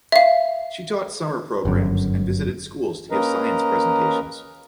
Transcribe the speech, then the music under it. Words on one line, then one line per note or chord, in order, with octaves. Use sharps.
She taught summer programs and visited schools to give science presentations.
E5 F5
G1 F#2
A#3 C#4 A#4 B4 D#5 A#5